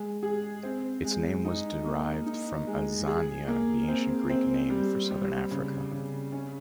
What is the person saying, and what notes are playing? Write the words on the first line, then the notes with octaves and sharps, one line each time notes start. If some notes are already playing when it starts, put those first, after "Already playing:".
Its name was derived from Azania, the ancient Greek name for Southern Africa.
Already playing: G#3
G#4
C4
G#3
D#4
A#3
D#4
G#3
G#4
A#3
C4
C4
G3
G3
C#3
C#3
C#4